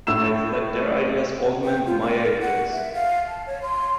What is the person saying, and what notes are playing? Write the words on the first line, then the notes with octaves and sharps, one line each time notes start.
I've let their ideas augment my ideas.
A2 E6 E7
G5
F4
A#4
F#5
E5
F5
A5
C#5
C6